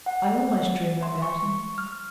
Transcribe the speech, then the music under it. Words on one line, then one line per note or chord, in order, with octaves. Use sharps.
I always dream about him.
F#5
C6
C#6
F6